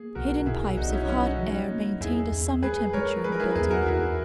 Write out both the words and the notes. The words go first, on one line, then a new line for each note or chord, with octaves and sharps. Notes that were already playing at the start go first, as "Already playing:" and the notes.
Hidden pipes of hot air maintained a summer temperature in the building.
Already playing: A#3 G#4
B1 F#4 A#4
B2 E4 G#4
B1 D#4 F#4
D#4
C#4 E4
F#3 C#4 E4
D#4 F#4
F#3
A#3
E2 E4 G#4
E2
G#3 G#4 B4
G#3 A#4 C#5
G#3 G#4 B4
A#4
E4 G#4
E2 E4 G#4
F#4 A#4
E2 E4 G#4